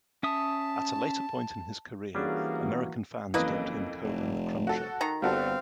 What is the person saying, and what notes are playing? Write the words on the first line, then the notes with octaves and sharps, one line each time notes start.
At a later point in his career, American fans dubbed him Coban The Cruncher.
C#4 E5 A5 D#6
E3 G3 A#3 C#4 D4 F#4 G#4
F#1 F2 E3 A#3 B4 D#5
F1
F#4 A4
D#3 A#5
G1 G3 C4 F#4 A4 F5